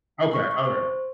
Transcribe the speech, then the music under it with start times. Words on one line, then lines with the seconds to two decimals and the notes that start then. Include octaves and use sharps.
Okay, alright.
0.33 C#6
0.51 C#6
0.65 C5